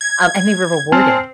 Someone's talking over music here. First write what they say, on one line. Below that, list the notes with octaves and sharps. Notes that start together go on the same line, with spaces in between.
Um, and they were rewarded
G#6
C4 G#5 A5 F6